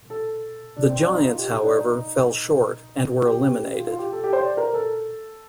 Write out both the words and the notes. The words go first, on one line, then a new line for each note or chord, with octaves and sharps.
The Giants, however, fell short, and were eliminated.
A4
D4
C4
D4
D#4
F4
G4
D#4
D4
D#4
G4
F4
F4
G4
A4
G4
C5
D5
A#4
A4